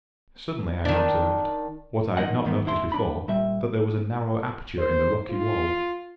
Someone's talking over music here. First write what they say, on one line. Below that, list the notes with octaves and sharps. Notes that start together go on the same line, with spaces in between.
Suddenly I observed, what I had not noticed before, that there was a narrow aperture in the rocky wall.
D#3 D4
D#3 F3 A#3 D#5 F#5
E2 G2 D#3 A#3 B3
D2 D3 E4 C6
D4 B5
A#2 G3 E5
C5
F4